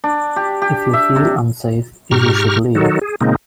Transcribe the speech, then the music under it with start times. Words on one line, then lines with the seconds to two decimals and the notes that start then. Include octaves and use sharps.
If you feel unsafe, you should leave.
0.04 D4
0.36 G4
0.62 G4
0.93 E5
1.16 C3
2.11 G#2 G4 A#5 C#6 F6
2.75 D#3 F#3 D#4 F#4 A4
3.01 G#4
3.21 A#2 C#3 G#3 A#3 C4 D#4